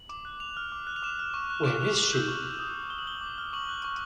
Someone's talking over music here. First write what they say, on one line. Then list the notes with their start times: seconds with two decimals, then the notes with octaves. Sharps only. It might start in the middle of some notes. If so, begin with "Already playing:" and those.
Where is she?
Already playing: F#7
0.09 D6
0.25 F#6
0.40 D6 F7
0.57 F6
0.72 D6
0.87 F#6
0.96 F7
1.03 D6 E7
1.19 F6
1.34 C#6
1.50 F#6
1.65 D6 E7
1.81 F6 F7
1.96 C#6 F#7
2.13 E6 G6
2.28 C#6
2.44 F#6
2.59 D#6 F#7
2.74 F#6
2.90 D6 G7
2.98 F#7
3.06 F#6 G7
3.21 D6
3.38 F6
3.53 C#6 F#7
3.69 F#6
3.84 C#6